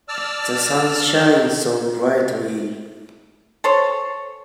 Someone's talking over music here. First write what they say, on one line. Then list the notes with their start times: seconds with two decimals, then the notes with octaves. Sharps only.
The sun shines so brightly.
0.08 D5 A5 E6 F6
3.64 A4 C5 C#5